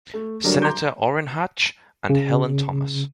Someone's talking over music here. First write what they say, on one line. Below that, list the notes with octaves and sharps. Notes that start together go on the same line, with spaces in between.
Senator Orrin Hatch and Helen Thomas.
A3
D3 F#3 G3 D4 A#4
A#5 C6 D6 G6
C#3